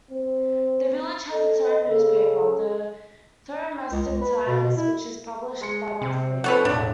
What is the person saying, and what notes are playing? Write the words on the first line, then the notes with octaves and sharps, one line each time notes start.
The village has its own newspaper, The Thurmaston Times which is published bi-monthly.
C4
A4 D#5
C#3 A4
C#2
C#2
B4
B2
B2
E4
G#3 C6 C#7
C3 C4
F3 C4 A4 B4 C#5 F#5
E1 A2 D4